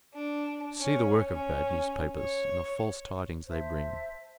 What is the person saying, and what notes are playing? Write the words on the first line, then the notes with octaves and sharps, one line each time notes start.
See the work of bad newspapers in the false tidings they bring!
D4
C#4
C#4
C#5
C5 E5 A5